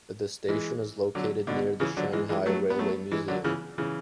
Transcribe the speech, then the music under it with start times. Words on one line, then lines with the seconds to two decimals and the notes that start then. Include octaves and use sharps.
The station is located near the Shanghai Railway Museum.
0.48 E3 G#3
1.15 D3 F#3
1.47 B2 D3
1.80 C#3 E3
1.97 D3 F#3
2.13 E3 G#3
2.29 E3 G#3
2.46 F#3 A3
2.70 B3
2.79 F#3 A3
3.11 E3 G#3
3.28 D3 F#3
3.44 C#3 E3
3.78 C#3 E3